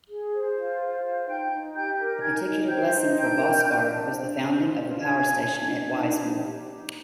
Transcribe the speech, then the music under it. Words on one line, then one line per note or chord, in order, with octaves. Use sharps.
A particular blessing for Vossbarg was the founding of the power-station at Wiesmoor.
G#4
C5
F4
C5
F4
D#4 G5 G6
D#4
G4 G5 G6
A#4
D#4 G#5 G#6
D#4
C5 G5 G6
D#4
D4 G5 G6
A#4
D4
D4
C5
C5
F4
F4
D4 G#5 G#6
D4
D4
D4
D#4
D#4
G4
D#4